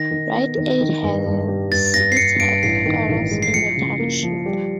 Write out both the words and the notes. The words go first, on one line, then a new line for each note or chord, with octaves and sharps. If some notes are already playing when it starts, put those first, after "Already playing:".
Rite Aid has its headquarters in the township.
Already playing: D#3 A#6
D#3
B3
D#3
D#3
G2
G2
G3
G2 A6
G2 A#6
C7
G2 C#7
G2 D7
A1 C7
D#3
A1
G#3
C7
F3 C#7
C#3
A#3
F3
G3